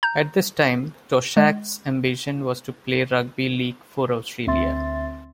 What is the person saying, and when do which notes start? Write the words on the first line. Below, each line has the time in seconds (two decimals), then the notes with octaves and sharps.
At this time, Toshack's ambition was to play rugby league for Australia.
0.03 A#5 G6
1.37 G#3
4.47 D2 C4 E5 C6 A6